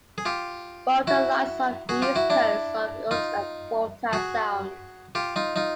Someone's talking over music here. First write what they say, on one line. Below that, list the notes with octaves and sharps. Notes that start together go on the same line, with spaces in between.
Balta lies off the east coast of Unst and Balta Sound.
G#4
F4 G4
E4 F#4
F#4 G#4
F4 G4
E4 F#4
D4 E4
D#4 F4
F#4 G#4
F4 G4
D#4 F4
D#4 F4